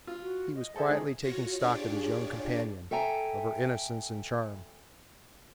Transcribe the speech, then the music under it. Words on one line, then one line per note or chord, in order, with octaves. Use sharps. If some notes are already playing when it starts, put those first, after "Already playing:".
He was quietly taking stock of his young companion,--of her innocence and charm.
F4
F#4
D#5
G#4 A4 C5 E5
D#3 G#3
F4 F#4 C#5 A#6
D4 F4 G4 G#4 C#5 D5
A4 E5 G5 G#5 A#5